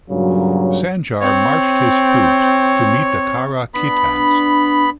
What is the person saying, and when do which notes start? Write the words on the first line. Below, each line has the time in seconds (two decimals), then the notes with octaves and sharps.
Sanjar marched his troops to meet the Kara-Khitans.
0.10 G2 A#2 C#3 F#3
1.22 C4 C#5
3.74 B3 D4 B5